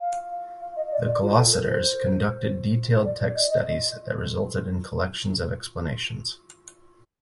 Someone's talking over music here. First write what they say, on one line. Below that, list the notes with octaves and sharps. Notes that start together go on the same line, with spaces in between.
The glossators conducted detailed text studies that resulted in collections of explanations.
F5
F5
D#5
D5
D5
F4
A4
A#4
C5
D5
D5
D#5
D#5